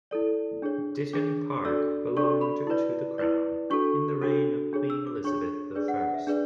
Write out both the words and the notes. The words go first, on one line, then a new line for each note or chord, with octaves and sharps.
Ditton Park belonged to the crown in the reign of Queen Elizabeth the First.
E4 A4 D5
D4 G#4 C#5
D4 G#4 C#5 D6
D4 F#4 A4 D5 E6
D4 F#4 A4 D5 C#6
B5
E4 B4 D5
E4 B4 D5
D4 F#4 A4 C#6
D4 F#4 A4
D4 G#4 C#5
E6
D6
D4 G#4 C#5 C#6
D4 G#4 B4 D5
F#5
F#5
E5
D4 G#4 B4 D5